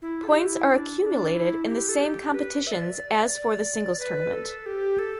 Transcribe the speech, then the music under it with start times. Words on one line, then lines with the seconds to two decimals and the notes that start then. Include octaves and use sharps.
Points are accumulated in the same competitions as for the Singles tournament.
0.02 E4
0.23 A4
0.27 G4
0.45 E4
0.68 D4
1.02 E4
1.06 D4
1.34 E4
1.68 G4
1.89 A4
2.01 G4
2.34 B4
2.67 E5
2.72 D5
3.99 B4
4.33 A4
4.66 G4
4.99 A4